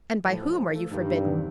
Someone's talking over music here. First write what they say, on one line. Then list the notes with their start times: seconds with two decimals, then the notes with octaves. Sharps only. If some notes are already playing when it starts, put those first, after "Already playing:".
"And by whom are you forbidden?"
0.25 A2 F3
0.43 F3
0.59 F3
0.75 A3
0.91 G2 D#3
1.09 C3
1.25 E2